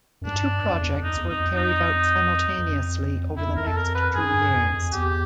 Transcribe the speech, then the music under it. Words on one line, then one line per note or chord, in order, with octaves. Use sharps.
The two projects were carried out simultaneously over the next two years.
F#2
G2 D4
F#2
F2
E2
F2
F2 D#4
E2
F2 D#4
D#4
F2
F2 E4
E2
F2 A#4
A4
A#4
B4
F#2 G#4
G2
F2
F2
E2 G4